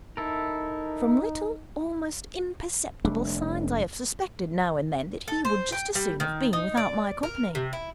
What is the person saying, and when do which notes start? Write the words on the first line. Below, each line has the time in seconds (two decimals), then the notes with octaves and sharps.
From little, almost imperceptible signs I have suspected now and then that he would just as soon have been without my company.
0.17 D#4 E4 A4 A#4
3.05 F1 G3 A3 D4
5.28 A4
5.45 C5
5.72 G5
5.95 G3
6.20 D#3
6.53 D#4
6.77 D5
7.23 A#4
7.55 C3
7.73 E4